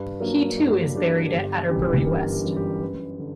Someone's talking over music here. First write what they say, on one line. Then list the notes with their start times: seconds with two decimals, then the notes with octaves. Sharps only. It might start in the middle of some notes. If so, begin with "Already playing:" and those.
He too is buried at Adderbury West.
Already playing: G2 B4
0.20 F#3 A#3 D4 A#4
0.58 G2 G4
0.95 F#3 A#3 D4 G4
1.32 G1 G4
1.69 F#2 E3 G3 G4
2.06 G1 A#4
2.32 G4
2.44 F#2 E3 G3
2.56 G4
2.81 F#2 B4
3.19 D3